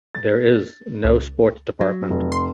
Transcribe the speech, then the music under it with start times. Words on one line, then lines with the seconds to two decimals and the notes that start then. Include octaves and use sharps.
There is no sports department.
0.15 A6
1.04 C#2
1.81 F#3
2.10 F1
2.32 C6